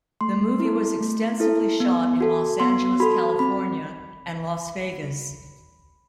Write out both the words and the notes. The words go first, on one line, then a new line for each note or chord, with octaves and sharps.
The movie was extensively shot in Los Angeles, California and Las Vegas.
A3 C6
E4
A4
A3
E4 A4
B3
F#4 A4
B3 C6
F#4 A4 B5
C4 B5